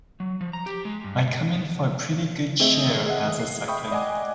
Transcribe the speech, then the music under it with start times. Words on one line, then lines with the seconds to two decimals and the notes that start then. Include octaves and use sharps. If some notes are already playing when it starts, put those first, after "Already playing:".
I come in for a pretty good share as a second.
0.20 F#3
0.41 F3
0.53 A#5
0.66 G4
0.85 G#3
1.04 G2
2.59 A3 C4 G#4 D#5 E5
3.06 G#4 D#5 E5 F#5
3.40 C7
3.68 E5 G5 B5 C#6 D#6
3.91 D5 D#5 F#5 G#5 D6